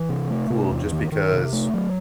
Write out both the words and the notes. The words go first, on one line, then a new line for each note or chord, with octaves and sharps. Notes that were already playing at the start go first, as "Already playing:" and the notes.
cool just because
Already playing: E3
C3
A3
C3
E2
D#3
D#3
C3
A3
F#3